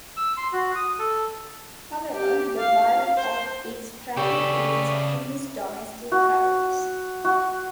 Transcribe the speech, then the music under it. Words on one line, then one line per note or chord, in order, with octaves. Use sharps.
However, the bulk of its traffic is Japanese domestic travelers.
E6
C6
F#4
D#6
A4
G4
F5
C5
C#3 G4 A4 B4 C#5 D5
F#4
F#4